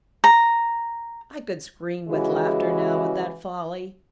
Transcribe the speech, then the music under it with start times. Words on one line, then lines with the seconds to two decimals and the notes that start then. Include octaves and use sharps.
I could scream with laughter now at that folly!
0.24 A#5
2.09 C#3 E3 G#3 E4 F#4 G4